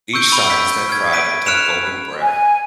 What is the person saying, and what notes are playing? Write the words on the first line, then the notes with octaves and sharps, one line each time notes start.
Each side is then fried until golden brown.
C#6 E6 G6 D7
B5 E6 D#7 G7
G6 B6
F6 G#6
B6 D7 D#7
F6 F#6 C#7 D7 E7 F7
G#5